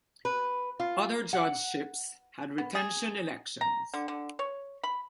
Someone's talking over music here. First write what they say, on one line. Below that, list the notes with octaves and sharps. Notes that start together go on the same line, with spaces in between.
Other judgeships had retention elections.
B4
F4
F#5
B3
G#4
A#5
D3
D3
C#5
B5